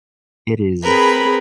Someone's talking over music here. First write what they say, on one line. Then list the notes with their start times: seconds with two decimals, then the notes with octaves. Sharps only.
It is.
0.83 C4 G#4 A#4 B4 B5